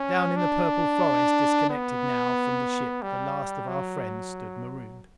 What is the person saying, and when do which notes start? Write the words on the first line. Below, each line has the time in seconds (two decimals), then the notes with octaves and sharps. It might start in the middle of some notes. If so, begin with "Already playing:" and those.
Down in the purple forest, disconnected now from the ship, the last of our friends stood marooned.
Already playing: C#4
0.37 D4
1.70 B3
3.02 G3
3.68 F#3